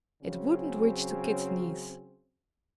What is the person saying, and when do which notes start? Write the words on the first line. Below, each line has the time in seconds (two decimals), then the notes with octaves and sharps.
It wouldn't reach to Kit's knees.
0.23 C#3 F#3 C4 C#4